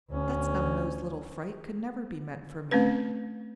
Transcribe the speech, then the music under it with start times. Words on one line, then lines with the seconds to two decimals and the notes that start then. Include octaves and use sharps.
That snub-nosed little fright could never be meant for me!
0.11 D2 C#4
2.71 A3 C4 C#4 B4